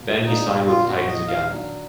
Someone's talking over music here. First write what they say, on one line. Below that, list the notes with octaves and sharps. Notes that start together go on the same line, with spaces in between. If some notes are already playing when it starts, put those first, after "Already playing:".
Then, he signed with the Titans again.
Already playing: B2 F#3 A#3
A#2 G#3 B3 D4 D#4
F4
A#2 F3 B3 D#4 F#4
D#5
F5
D#3 F#3 D4